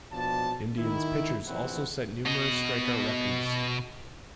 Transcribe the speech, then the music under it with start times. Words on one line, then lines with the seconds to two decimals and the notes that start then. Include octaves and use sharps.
Indians' pitchers also set numerous strikeout records.
0.13 B2 F3 D4 A5
0.79 D#3 E4
1.47 A#1 E3 C4 E4 F#5
2.26 B2 D#5